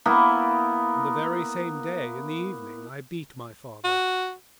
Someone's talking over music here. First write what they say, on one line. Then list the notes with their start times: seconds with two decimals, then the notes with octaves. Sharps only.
And the very same day, in the evening I beat my father.
0.06 A#3 B3 E4 A#4
3.85 F#4